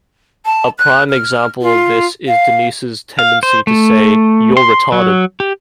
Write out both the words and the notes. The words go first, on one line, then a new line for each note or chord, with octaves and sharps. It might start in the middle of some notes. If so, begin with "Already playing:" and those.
A prime example of this is Denise's tendency to say, You're retarded!
A5
F#6
F6
F4
F5
F5
C5
A3
C6
F#3
G4